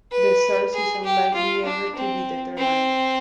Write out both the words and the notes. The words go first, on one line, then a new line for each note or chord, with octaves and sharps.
The source is unlikely ever to be determined.
B4
G#4
G4
F4
D4
C4
C4